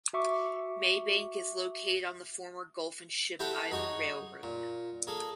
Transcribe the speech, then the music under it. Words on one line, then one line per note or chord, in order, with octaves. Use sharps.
Maybank is located on the former Gulf and Ship Island Railroad.
F#4 E5 C#6 D6
C4 E4 G4 A4 C5 F#5
D#4 F#4 G#4 C#5
A#2
A#3 G#4 A4